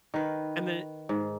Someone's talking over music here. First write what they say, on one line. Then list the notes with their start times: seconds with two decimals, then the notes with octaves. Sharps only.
and then
0.14 D#3 B4
1.09 G#2